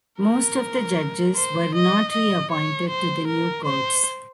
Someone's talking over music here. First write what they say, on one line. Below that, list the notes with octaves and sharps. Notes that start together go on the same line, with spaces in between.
Most of the judges were not reappointed to the new courts.
A#4
C5
D#5
D#5
C#5
C5
A#4
C5